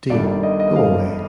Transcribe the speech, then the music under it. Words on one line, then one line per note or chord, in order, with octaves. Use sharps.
Dean, go away.
G1 G2 D#3 G3 D5
D5
D#5
D#5
F5